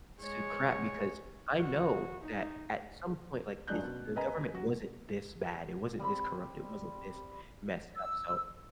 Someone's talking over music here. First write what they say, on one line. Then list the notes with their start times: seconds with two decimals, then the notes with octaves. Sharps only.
to crap? Because I know that at some point, like, this the government wasn't this bad, it wasn't this corrupt, it wasn't this messed up. So,
0.21 G#3 C#5
1.57 F#4
2.23 D#4
3.67 F#1 F#3 G#3 D4 F#6 G6
3.83 B2
4.16 A#4 B4 D#5 G#5 A#5
4.55 F#4
5.99 G3 C4 B5
7.96 E6